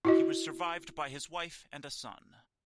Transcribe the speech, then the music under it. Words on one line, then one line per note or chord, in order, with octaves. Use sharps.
He was survived by his wife and a son.
E4 F#4 D#5